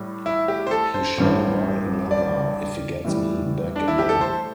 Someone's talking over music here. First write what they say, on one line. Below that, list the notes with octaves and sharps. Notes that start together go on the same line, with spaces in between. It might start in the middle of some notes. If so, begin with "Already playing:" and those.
He shall buy another, if he gets me back again.
Already playing: A2 G3
E4
G4
C5
A4
C5
A1 G2 E3
D5
A2 E3 G3
D4
E4
G4
A4
C5